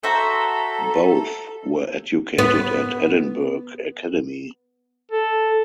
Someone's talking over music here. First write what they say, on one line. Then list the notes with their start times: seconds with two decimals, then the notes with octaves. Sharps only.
Both were educated at Edinburgh Academy.
0.03 F#4 A4 C5 E5 A#5
2.38 B3
5.11 A4